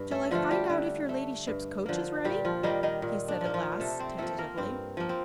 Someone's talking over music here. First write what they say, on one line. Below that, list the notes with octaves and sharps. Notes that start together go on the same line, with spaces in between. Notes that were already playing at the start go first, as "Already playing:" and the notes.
"Shall I find out if your ladyship's coach is ready," he said at last, tentatively.
Already playing: G2
A3 A4
D3 F3 A3 F4
G3 G4
D3
A3
G2
D3 F3 A#3
A#2 G3 G4
F3 F4
D#3 G3 A#3 D#4
D#3 D#4
A#2
D4
F3 A#3
F3 F4
C3 A3 A4
C4 C5
F3 A3 A#3 A4
A#3 A#4
G2 C4
F3 A#3
C4